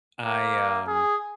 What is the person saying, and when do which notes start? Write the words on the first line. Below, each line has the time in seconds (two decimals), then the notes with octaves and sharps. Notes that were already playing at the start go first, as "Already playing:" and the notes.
I, um,
0.24 A#3
0.88 G#4